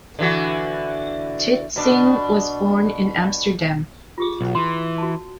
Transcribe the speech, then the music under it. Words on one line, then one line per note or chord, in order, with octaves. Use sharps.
Titsingh was born in Amsterdam.
D3 E3 F#4
B2 D4
F4 G4 G#4
B1
E3 C6
F#4 A5